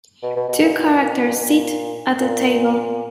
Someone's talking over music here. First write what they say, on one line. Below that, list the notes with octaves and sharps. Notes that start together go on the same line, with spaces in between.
Two characters sit at a table.
B2
B2
B2
A#2
B2
A#2
B2
A#2
B2
A#2
B2
A#2
A#2